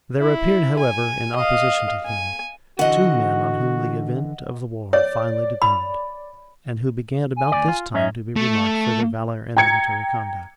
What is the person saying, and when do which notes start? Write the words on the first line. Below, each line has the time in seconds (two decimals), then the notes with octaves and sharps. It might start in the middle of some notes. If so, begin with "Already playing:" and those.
There appeared, however, in opposition to him, two men on whom the event of the war finally depended, and who began about this time to be remarked for their valor and military conduct.
0.19 E4
0.79 G#5
1.36 D#5 F5
2.06 G#5
2.79 D3 E3 F#4 D#5 F#5
4.93 C#5 D5
5.62 B5
7.36 G#5
7.52 D2 A#2 D5
7.68 F4
7.94 F#2 C#4 D#4 E5
8.36 A3
9.57 G5 A#5 G#6 C#7